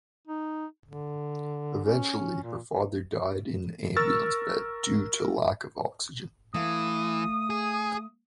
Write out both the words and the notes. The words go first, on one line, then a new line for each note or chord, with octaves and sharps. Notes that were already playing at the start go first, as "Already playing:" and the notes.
Eventually her father died in the ambulance bed due to lack of oxygen.
D#4
D3
C#4
A#2
A#4 C#6 E6 F6 A6
E3 A3 F5 D#6
G#4